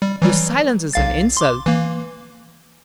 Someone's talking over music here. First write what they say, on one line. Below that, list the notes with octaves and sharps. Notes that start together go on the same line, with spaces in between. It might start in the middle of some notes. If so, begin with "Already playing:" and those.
"Your silence is an insult!"
G3
E3 F#3 G3
B1 F5 A6
C6 D6
E3 A#3